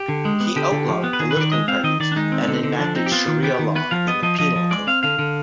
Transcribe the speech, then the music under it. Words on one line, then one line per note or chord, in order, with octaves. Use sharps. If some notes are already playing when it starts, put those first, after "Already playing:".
He outlawed political parties and enacted Sharia law in the penal code.
Already playing: G4
D3
G#3
B3
D3 G4
D3
F3
B3
B4
D#3 G#4
B4
D#3 D5
G#3 D#5
C4 F5
D#3 D#5
D#3 D5
D4
G#3 D#4
C4
D3
D3
F3 D4
C4 D#4
G4
B3 F4
D#3
B3 G4
D#3
B3 B4
F3 F5
B3 D#5
F3 D#5
F3 D#5
F3
G#3 D5
C4 F5
D3 F5
D3